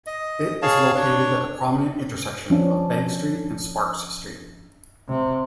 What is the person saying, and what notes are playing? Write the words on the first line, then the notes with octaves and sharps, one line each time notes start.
It is located at the prominent intersection of Bank Street and Sparks Street.
D#5
G#4 C#5 F5 A5
D4 C#5
F3 C#4 D4
C3